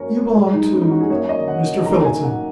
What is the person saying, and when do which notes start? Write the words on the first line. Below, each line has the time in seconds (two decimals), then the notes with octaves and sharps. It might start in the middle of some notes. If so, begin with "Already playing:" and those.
You belong to--Mr. Phillotson.
Already playing: F#2 F#3 A#3 A#4 C#5
0.35 G#2 G#3 G#4
0.54 D#4
0.73 C#4
0.81 D#4
0.91 F#4
1.01 G#4
1.10 F#2 F#3 A#3 C#5
1.29 D#5
1.48 F#5
1.86 F#2 D#3 F#3 A#3 A#5
2.04 G#5
2.24 F#5